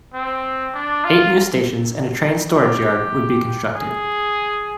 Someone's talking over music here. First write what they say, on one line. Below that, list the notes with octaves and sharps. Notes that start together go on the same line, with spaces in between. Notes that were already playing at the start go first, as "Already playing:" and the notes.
Eight new stations and a train storage yard would be constructed.
C4
D4
F4
G4
G#4